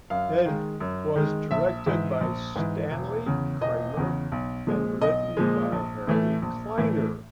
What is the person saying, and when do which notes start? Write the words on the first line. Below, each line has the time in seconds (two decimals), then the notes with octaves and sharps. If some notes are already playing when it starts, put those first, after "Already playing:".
It was directed by Stanley Kramer and written by Harry Kleiner.
0.10 F#2 F5
0.46 D#3 G#3
0.80 F#2
1.16 D#3 G#3
1.51 A#1 E5
1.86 G#2 E3
2.21 A#1
2.56 G#2 E3
2.91 E1
3.26 E2 C#3
3.61 E1 D#5
3.97 E2 C#3
4.32 B1
4.67 A#2 F3 G#3
5.01 B1 D#5
5.37 A#2 F3 G#3
5.72 A#1
6.07 A2 E3 A3
6.42 A#1
6.78 A2 E3 A3